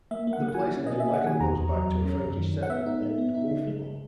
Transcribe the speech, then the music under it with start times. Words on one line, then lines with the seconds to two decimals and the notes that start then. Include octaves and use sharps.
The placename likely goes back to a Frankish settler named Wulfilo.
0.11 A#3 E5
0.27 A#3
0.33 F#5
0.43 A#3
0.48 F#5
0.54 G#5
0.59 E4
0.76 C#4
0.87 D#5
0.92 A#3
1.00 E5
1.08 A#3
1.13 F#5
1.24 D#3 G#5
1.40 E2 A#5
1.57 E2
1.73 F#3
1.89 E2
2.05 C#4
2.21 F#2
2.37 D#3
2.54 C#4
2.63 F#5
2.70 B3 E5
2.86 D#4
3.02 G#3
3.18 B3
3.34 D#4
3.51 C#3
3.67 G#3
3.83 G#3